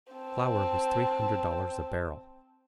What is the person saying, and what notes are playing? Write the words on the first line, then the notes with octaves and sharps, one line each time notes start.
Flour was three hundred dollars a barrel.
C4 A5